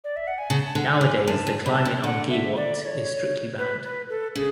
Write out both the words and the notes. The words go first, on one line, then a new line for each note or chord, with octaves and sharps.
Nowadays the climbing on Giewont is strictly banned.
D5
E5
F#5
G#5
C#3 A5
D3 F#5
G#5
E3
F#2 A5
G#2
B2 B5
A5
C#3
D3 F#5
E5
D5
D5
C#5
B4
B4
A4
C#3 G#4